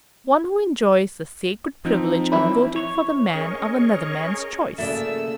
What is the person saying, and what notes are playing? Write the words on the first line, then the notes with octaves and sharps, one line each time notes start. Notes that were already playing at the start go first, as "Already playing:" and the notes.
One who enjoys the sacred privilege of voting for the man of another man's choice.
F3 C4 D#4
E3 E4 B5
C#5
C#4 G#4 A#4 C#5 D#5 C#6
C#3 A3 A#3 E4 F#4 D5 E6